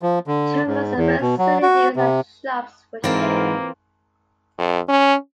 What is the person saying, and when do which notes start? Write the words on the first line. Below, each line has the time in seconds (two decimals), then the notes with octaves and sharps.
Terminals, facilities, and shops were shared.
0.02 F3
0.27 D3
0.67 G#2
0.96 E2
1.21 B2
1.38 F#3
1.62 F#4
1.96 C3
3.04 G#2 E3 A#3 C4 F4 A#4
4.58 F2
4.89 C#4